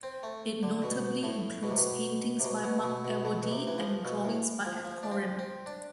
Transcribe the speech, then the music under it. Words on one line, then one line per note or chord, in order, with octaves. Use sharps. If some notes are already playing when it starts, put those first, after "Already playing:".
It notably includes paintings by Marc Awodey and drawings by Ed Koren.
C4
A3
D3
B2
A2
B2
C3
B2
C3
B2
B2
B2
B2
B2
B2
C3
E3
F3
B2
A2
F3
F3
D4
C4
C4
D4